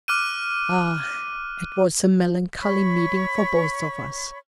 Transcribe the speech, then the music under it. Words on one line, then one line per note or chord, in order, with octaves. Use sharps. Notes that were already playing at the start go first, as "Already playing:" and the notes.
Ah, it was a melancholy meeting for both of us.
D6 F6 F#6 D#7
C#5 B5 C#6